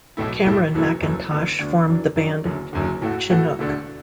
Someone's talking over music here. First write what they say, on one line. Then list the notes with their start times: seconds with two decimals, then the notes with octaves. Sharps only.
Cameron MacIntosh formed the band Chinook.
0.17 B1 A2 A3 E4
0.45 B1 A2 A3 E4
0.74 F#1 F#2 E3 A3 E4
1.01 F#1 F#2 E3 A3 E4
1.30 D2 D3 B3 D4
1.59 D2 D3 B3 D4
1.87 F#2 E3 D4
2.16 F#2 E3 D4
2.45 F#1 F#2 D3
2.73 F#1 F#2 D3
3.02 A2 A3 F#4
3.30 A2 A3 F#4
3.59 E1 D2 D3 A3 D4